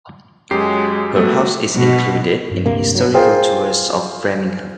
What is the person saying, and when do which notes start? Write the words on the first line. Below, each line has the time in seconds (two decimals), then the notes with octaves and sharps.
Her house is included in historical tours of Framingham.
0.51 F#2 F#3 G#3 G4 C7
1.15 G3 A3 B3 F#4
1.74 B2
2.51 G2
2.66 D1 C3 A#3
2.95 F#3
3.14 F4 G#4 A#4 C5 G5